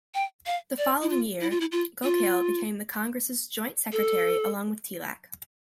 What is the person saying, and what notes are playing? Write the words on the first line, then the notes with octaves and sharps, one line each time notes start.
The following year, Gokhale became the Congress's joint secretary along with Tilak.
G5
F5
D5
E4
F4
E4
F4
E4
F4
F4
A4